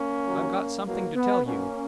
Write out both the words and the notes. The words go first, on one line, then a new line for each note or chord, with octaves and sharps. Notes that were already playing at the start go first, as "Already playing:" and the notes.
"I've got something to tell you."
Already playing: A#3 C#4
D#2 D#3 F#3
E2 B2 F#3 A#3
B3
B1 B2 F#3 A#3 C#4